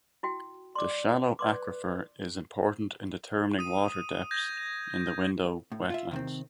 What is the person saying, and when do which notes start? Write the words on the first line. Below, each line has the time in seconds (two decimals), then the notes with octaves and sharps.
The shallow aquifer is important in determining water depths in the ‘window’ wetlands.
0.23 E4 F#4 G5
0.75 D5 C6 D6
1.39 B4 D5 C6 D6
3.59 D#6 D#7
4.31 G6 G#6 A#6
5.72 A2
5.90 F4 E5
6.11 C3 D#3 C4